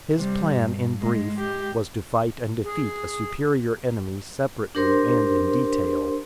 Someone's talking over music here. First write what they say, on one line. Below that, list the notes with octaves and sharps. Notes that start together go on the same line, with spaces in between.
His plan, in brief; was to fight and defeat a superior enemy separately and in detail.
C3 G3
G2
G#2 G#3
G#3 G4
G#4
D4 G4 A#4 C5 C6